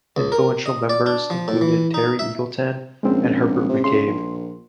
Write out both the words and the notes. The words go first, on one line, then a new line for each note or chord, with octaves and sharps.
Influential members included Terry Eagleton and Herbert McCabe.
C#2
A#4
D#5
D5
D4
F3
A2
E3
D#4
E5
A#1 G#3 C4 C#4
C3
C#3 C6
A#1